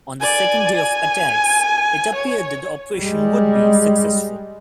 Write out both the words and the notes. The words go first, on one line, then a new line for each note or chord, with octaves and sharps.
On the second day of attacks, it appeared that the operation would be successful.
D5 G#5
G#5
C#5
G3 G#3